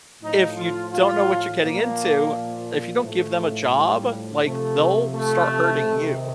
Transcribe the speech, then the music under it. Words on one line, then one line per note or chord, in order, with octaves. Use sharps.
If you don't know what you're getting into, if you don't give them a job, like, they'll start hurting you.
A2 F3 D#4
F4
F4
A#2 F3 A#3
A2 F3 A3
G3
C3 F3 A3
A3
C3 D#3